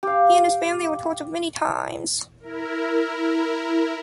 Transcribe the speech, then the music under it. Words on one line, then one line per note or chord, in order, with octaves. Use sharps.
He and his family were tortured many times.
G4 F5
E4 A#4